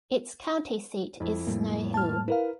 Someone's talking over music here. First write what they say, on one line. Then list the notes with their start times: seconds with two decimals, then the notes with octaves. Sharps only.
Its county seat is Snow Hill.
1.20 F2 E4
1.47 A2 G3 A#3
1.94 A5 F6
2.28 E4 A#4 B4 F5